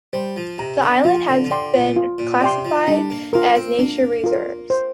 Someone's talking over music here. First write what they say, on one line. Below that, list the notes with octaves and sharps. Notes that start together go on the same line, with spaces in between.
The islands have been classified as nature reserves.
G3 C5
F3
C3 A#5
D3
F3 F4
D3
F3
D3 D5 G5 C6
A#2
F4
A#2
C3 D5 G5 C6
F3
G3 D4
A#3
A#3 F4 A#4
C4
A#3 D4
F4 A#4
C5